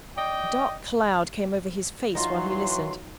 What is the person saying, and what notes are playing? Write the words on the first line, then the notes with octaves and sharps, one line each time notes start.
A dark cloud came over his face while he listened.
D5 D#5 G5
E3 F#3 D#4 F4 C6